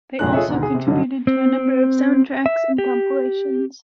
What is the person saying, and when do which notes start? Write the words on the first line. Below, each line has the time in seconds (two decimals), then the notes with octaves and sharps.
They also contributed to a number of soundtracks and compilations.
0.19 F1 A#2 G#3 C#4 D4 F#6
0.33 F4 G#4 A4 C#5 D#5 E5
0.48 D2 G#2 B2 D#3
0.63 G#4
0.74 C3
0.86 G2 D3 F#3 D#4
1.27 C4
2.46 E5
2.78 G4